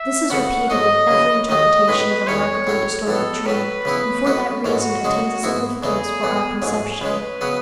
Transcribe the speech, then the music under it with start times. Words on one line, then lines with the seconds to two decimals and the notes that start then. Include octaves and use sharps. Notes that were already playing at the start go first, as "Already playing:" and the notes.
This is repeated with every interpretation of a markedly distorted dream, and for that reason attains a significance for our conception.
Already playing: E5
0.30 F#2 C#3 E3 A3 C#4 F#5
0.70 G#2 F#3 A3 D#4 D#5
1.09 F#2 C#3 E3
1.49 D#2 D#3 F#3 A3 D#5
1.88 B1 A2 G#3 C#4 B4
2.27 E2 D#3 A3 C#4 C#5
2.67 A2 F#3 A3 C#4
3.07 B1 A2 E3 B3 A4
3.46 A2 F#3 C#4 B4
3.85 C#3 E3 B3 E4
4.25 F#2 E3 A3 D#4 F#4
4.64 A1 G#2 E3 A3 C#4 F#4
5.04 F#2 C#3 G#3 D#4
5.43 G#2 E3 B3 E4
5.83 E2 C#3 E3 A3 D#4 G#4
6.22 A2 E3 B3
6.62 A1 G#2 F#3 G#4
7.01 C#2 C#3 G#3 B4
7.41 C#3 F#3 B3 F#4